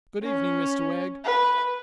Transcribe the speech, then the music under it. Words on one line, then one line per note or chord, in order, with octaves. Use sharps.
'Good evening, Mr Wegg.
C#4
B4